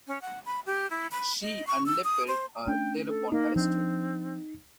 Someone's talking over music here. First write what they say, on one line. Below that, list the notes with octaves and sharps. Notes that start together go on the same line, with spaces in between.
She and LePelt are thereupon arrested.
C#4
F#5
B5
G4
E4
B5
D#5
C#6
E6
D#6
C5
A3 C#4 D4 G5
A4
A#3 D#4
F3 C4 D4